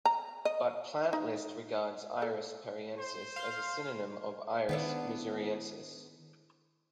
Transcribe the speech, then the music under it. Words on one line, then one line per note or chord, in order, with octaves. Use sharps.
But Plant List regards 'Iris pariensis' as a synonym of 'Iris missouriensis'.
A#5
D#5
D#4
A4
C5
F5 C6
D#3 B3 D4 E4